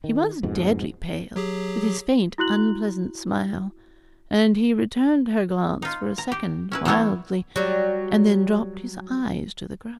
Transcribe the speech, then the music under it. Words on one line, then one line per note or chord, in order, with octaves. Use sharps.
He was deadly pale, with his faint unpleasant smile; and he returned her glance for a second wildly, and then dropped his eyes to the ground.
D#3
F2 G#2 B2
F#3 G4 G#4
E4 F#4 F#6 F#7
D#4 F4
A#5
G4
C#4 E4 B4
E3 G3 A3 B3 E4 C#5
F#3 G3